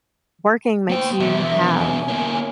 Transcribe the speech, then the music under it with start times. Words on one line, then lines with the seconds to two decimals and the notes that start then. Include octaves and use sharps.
working makes you have
0.90 A#3 C5 G5
1.20 E2 B2 E5
1.78 G#5
2.08 A#3 C#4